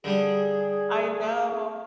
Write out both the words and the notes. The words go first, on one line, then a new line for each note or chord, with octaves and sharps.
I know.
D3 G3 D4 G#4